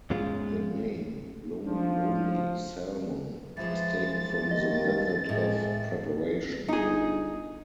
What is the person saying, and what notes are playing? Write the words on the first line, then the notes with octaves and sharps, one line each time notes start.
The name "lomi-lomi salmon" is taken from the method of preparation.
E2 G#2 G#3 C#4 F4
F3 D4
E3 F3 G#3 A6
D#2 D#5
A2 G#3
G1 D#4 G#4